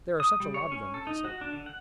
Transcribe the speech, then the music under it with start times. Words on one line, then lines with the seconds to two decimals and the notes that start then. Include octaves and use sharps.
"There are such a lot of them," he said.
0.20 D#6
0.40 G3
0.54 C#5
0.72 C#4
0.94 A4
1.07 D#4
1.25 F#4
1.41 D4
1.53 D3
1.66 F#5